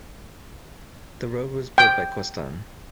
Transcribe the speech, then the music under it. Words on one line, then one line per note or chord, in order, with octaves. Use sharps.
The road was built by Costain.
G5